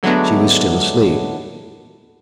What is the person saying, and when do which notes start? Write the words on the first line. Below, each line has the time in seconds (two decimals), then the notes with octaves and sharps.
She was still asleep.
0.03 D3 F#3 G#3 A3 B3 D4